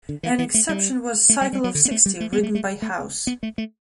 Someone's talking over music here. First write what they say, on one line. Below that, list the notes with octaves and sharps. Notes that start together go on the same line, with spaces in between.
An exception was "Cycle of Sixty", written by Howse.
D3
E3
E3
A3
G3
A3
G3
G3
F#3
D3
B3
A3
G3
A3
B3
G3
A3
A3
A3
B3
A3
A3